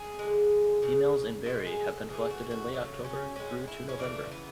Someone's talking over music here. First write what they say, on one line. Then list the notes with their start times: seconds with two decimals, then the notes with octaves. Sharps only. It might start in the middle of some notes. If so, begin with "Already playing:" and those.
Females in berry have been collected in late October through to November.
Already playing: G#4
0.19 D3 G#3
0.82 C#3 G#3
1.46 B2 G#3 A4
1.67 G#4
1.88 A4
2.09 C#3 E3 A3 G#4
2.31 F#4
2.51 F#4
2.73 C#3 F#3 A3 B3
3.04 C#4
3.36 A2 G#3 C#4
3.68 E4
3.89 C#4
3.99 C#3 E3 A3 D4
4.31 B3